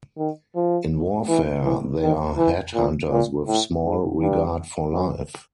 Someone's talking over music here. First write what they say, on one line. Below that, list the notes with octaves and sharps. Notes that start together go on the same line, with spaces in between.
In warfare they are headhunters with small regard for life.
D#3
F3
E3
E3
D#3
E3
A#2
A#2
A2
G#2
G2
F#2